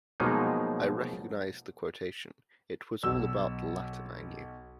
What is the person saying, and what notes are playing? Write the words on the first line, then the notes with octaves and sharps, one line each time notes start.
I recognised the quotation: it was about all the Latin I knew.
B2 F3 F#3 G#3 A#3 D#4
B1 E6